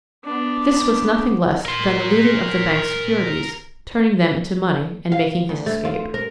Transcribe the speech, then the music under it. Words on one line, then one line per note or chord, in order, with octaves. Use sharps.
This was nothing less than the looting of the bank's securities, turning them into money, and making his escape.
B3 D4
A#4 C6
F5
D2
A3
F4
A#4